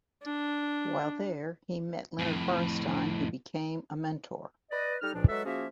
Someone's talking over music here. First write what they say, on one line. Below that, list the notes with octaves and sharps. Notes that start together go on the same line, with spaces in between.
While there, he met Leonard Bernstein, who became a mentor.
D4
F2 A2
B4 D5 D#5
G3 D#4 A4 F6
C#2 A#2 F3 D4
F#3 G#3 A4 B4 E5
F3 A#3 C#4 F#4 G#4 E5